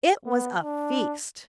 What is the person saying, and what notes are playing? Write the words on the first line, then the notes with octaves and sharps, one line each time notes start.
It WAS a feast!
B3
D4